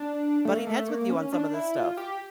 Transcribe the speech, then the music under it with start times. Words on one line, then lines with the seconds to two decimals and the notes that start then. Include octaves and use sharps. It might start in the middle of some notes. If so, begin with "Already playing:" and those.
butting heads with you on some of this stuff,
Already playing: D4
0.45 A3
0.57 A#3
0.67 A3
0.88 A#3
1.10 C#4
1.33 D4
1.54 E4
1.76 F4
1.97 G4